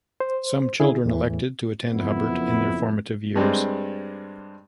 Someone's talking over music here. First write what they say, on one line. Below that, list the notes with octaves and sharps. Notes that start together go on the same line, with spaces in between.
Some children elect to attend Hubbard in their formative years.
C5
D3 E4 G#4
E2 A2 E3
F#1 F2 B3 E4
G2 G3 G#3 C4